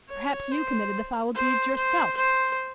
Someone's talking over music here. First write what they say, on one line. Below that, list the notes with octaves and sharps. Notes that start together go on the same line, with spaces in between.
"Perhaps you committed the foul deeds yourself."
C#5
C5
C5
C5
C5